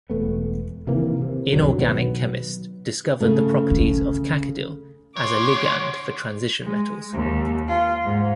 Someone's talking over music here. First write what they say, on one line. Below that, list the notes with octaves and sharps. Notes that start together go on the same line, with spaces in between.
Inorganic chemists discovered the properties of cacodyl as a ligand for transition metals.
E1 A3 B3
C3 D#3 E3 A#3
C3
B1 F2 D3 F#3
B2 D#3 F#3 B3
C#3 A3
C#4
D2 C#5 C6 D6
G#3
D#2
F4
G#2